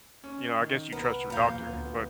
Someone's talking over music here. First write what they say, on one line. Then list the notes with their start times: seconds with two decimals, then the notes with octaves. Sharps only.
you know, I guess you trust your doctor, but
0.24 C#4
0.60 D#3
0.92 C2 B3 A#4
1.30 B1 E2 A#2 F3 F5 A#5 G6
1.69 D2 B3